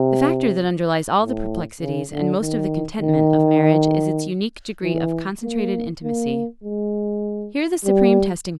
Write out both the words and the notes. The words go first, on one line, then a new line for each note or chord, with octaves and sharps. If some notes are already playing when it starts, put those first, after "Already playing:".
The factor that underlies all the perplexities, and most of the contentment, of marriage is its unique degree of concentrated intimacy. Here the supreme testing always comes.
Already playing: C3
A2
C#3
D3
D#3
D#3
E3
A#3
A#3
G#3
G3